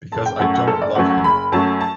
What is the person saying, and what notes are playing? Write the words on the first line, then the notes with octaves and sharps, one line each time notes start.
Because I don't love him.
F#1 A5
G5
F#2 F#3 A3 F#5
F#5
F#1 A4
D5
F#2 F#3 A3 F#5
F#5
F#1 B5
F#2 F#3 A3 A5
A5